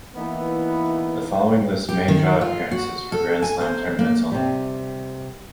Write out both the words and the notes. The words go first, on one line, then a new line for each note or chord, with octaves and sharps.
The following lists main draw appearances for Grand Slam tournaments only.
E3 A#3 B3 D#4 E4
G4
D#3
F4
F#4
A4
G#5
C5
A#3
C3 G3